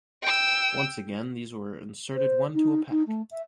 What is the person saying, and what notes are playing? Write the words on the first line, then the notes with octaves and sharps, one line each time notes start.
Once again these were inserted one-to-a-pack.
G5 E6
C5
D#4
D#4
A3
E5